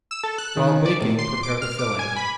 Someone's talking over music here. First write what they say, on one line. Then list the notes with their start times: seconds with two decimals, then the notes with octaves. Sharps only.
While baking prepare the filling.
0.11 E6
0.23 A4
0.38 F#6
0.57 D#3
0.86 D5
1.01 A2
1.19 C6
1.43 D6
1.62 F6
1.79 D6
1.99 G#5
2.16 B5